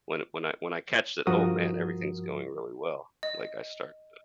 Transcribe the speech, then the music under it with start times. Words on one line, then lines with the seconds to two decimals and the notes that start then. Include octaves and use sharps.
when when I when I catch it, oh man, everything's going really well, like I start, uh,
1.27 G2 F3 F#4 A#4 D#6
3.23 D#5